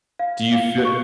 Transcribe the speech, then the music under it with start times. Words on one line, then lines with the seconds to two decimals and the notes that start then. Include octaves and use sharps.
Do you fee
0.19 F5
0.52 F5
0.85 C#6